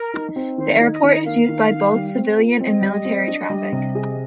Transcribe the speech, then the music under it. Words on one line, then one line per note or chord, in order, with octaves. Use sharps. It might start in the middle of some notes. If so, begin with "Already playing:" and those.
The airport is used by both civilian and military traffic.
Already playing: A#4
D#4
C4
D#3 C5
D5
D#4
D#5
D#3
D#5
A#3 F5
D#3
D#3
G3
C4
F4
C4 D#5
G3
C4
D4
G3
C3
G#4